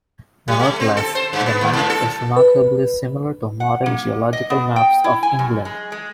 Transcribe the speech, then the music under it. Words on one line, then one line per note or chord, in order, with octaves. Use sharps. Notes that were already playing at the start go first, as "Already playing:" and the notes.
Nevertheless, the map is remarkably similar to modern geological maps of England.
G3
A3
C4
A4
C5
G2
B3
D#2
G#2
A4
B4
F#5
A#3
D#5
B3
G5
E4
G#5
F#2
G#3
G#3